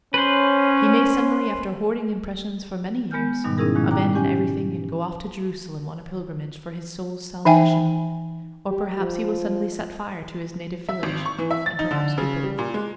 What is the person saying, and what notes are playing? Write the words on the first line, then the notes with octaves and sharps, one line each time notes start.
He may suddenly, after hoarding impressions for many years, abandon everything and go off to Jerusalem on a pilgrimage for his soul's salvation, or perhaps he will suddenly set fire to his native village, and perhaps do both.
C#4 B4 C5
G#3 B3 A#4 G#5 F6 G6
G#2 B2 D#3 G3 D#4
C#4 D#4 E4 G#4 A#4
A#2 D#3 F3 G#3
G5 A#5 D6 F#6
C#4 G4 G#5
E3 D#4 E5 G5 G#5
G4
F3
E5
G#1
C#6
E3
E5
A6
D#4
D3
C#3
G3
A#2
G#3